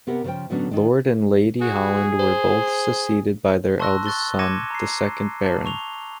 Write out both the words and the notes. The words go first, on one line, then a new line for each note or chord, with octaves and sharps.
Lord and Lady Holland were both succeeded by their eldest son, the second Baron.
C3 B3 G4 A#4 F#5
C#3 F3 A4 C5 G5
A2 D3 F#3 B3 C#4 D4
D#3 D4
F#4 G#4
C5
A5 C6 C#6 E6 F#6 A#6
C#6 F#6 A6 G7
D6 G#6 A#6 C#7 D#7 E7
A#5 C7
A5
C#6 F7 G7